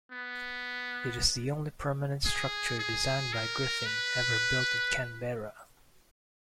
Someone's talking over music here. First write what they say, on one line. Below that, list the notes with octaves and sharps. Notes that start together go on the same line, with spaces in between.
It is the only permanent structure designed by Griffin ever built in Canberra.
B3
G#4
G#4
A#4
B4